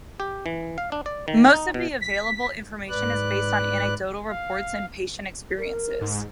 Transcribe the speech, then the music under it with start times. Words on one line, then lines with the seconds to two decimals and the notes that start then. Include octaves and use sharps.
Most of the available information is based on anecdotal reports and patient experiences.
0.20 G4
0.46 E3
0.78 F5
0.92 D4
1.06 D5
1.28 D#3
1.54 D#4
1.74 B2
2.01 B6
2.89 G#2 B4 D5 F#6
4.29 F5
5.58 A#4
6.01 G#2